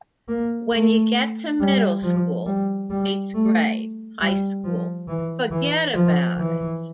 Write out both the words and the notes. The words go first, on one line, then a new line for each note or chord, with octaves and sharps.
When you get to middle school, eighth grade, high school - forget about it.
A#3
A3
G3
F3
G3
G3
A3
G3
F3
E3
E3
F3
E3